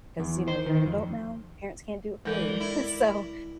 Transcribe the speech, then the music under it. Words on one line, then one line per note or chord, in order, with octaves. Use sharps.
'cause, you know, you're an adult now, parents can't do it for you. So,
E2
C5
D#3
F2
E3 G#3 A4 A#4 D5
E4